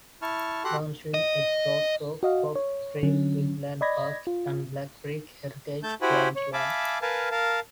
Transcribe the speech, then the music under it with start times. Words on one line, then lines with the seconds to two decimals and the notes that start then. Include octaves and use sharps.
Downstream it flows through "Bob Creek Wildland Park" and "Black Creek Heritage Rangeland".
0.22 E4 A5 C#6 F6
0.64 F#4 G4 A4 F#5 C6 F#6
1.14 D#5
2.23 F#4 D#5 F5
2.56 C#5
3.03 D3 F#3 C#4
3.81 D5 D#5 B5 G#6 A#6
4.27 F4
5.83 A3 A5 G6
6.02 E4 F#4 G4 C5 G#5 B5
6.36 C#5
6.53 E5 F5 G#5 A5 B5 D6
7.02 A#4 B4 F5 G#5 A5
7.31 A#4 F5 A5